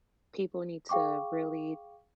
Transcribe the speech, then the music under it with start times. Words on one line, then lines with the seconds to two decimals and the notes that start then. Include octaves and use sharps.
people need to really
0.89 G#4 F5 G5 C#6 D6